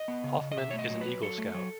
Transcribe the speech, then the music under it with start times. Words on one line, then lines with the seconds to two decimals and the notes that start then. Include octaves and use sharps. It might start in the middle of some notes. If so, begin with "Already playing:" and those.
Hoffman is an Eagle Scout.
Already playing: D#5
0.08 B3
0.24 C#3
0.41 C#3
0.52 D#5
0.57 B2 E5
0.70 C#5
0.74 A3
0.79 D#5
0.90 F#3
1.01 F#3 B4
1.22 F#3 A4
1.38 A3
1.54 F#3